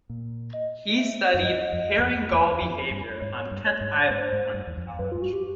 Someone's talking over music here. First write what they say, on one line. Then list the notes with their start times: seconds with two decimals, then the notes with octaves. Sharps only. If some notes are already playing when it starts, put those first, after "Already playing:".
He studied herring gull behavior on Kent Island while in college.
0.10 A#2
0.53 D#5
0.98 E5
1.34 F#2
1.43 G2 D#5
1.73 F2
1.99 F#2
2.03 F2
2.32 E2
2.61 F2
2.91 G2
3.21 G#2 C#5
3.51 G2
3.66 C#5
3.81 G#2
4.10 G#2 C5
4.32 G#2
4.54 G2
4.67 E2
4.77 F2
4.99 F#2 B4
5.12 G#2 F4
5.22 G2 F#4
5.33 G4